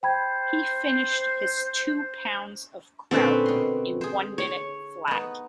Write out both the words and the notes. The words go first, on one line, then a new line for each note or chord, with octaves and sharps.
He finished his two pounds of kraut in one minute flat.
C5 G5 B5 G#6
A#2 D3 C4 C#4 B4 A5
B2 C6
G#4 C5
C#5
B3 D#4